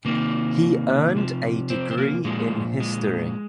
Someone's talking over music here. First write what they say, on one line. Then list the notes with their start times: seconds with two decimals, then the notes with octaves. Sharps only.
He earned a degree in History.
0.05 C3 D#3 A#3
1.15 C3 F3
1.70 C4
1.91 C4
1.98 A#3
2.25 A#2 F3 G#3
2.80 G#3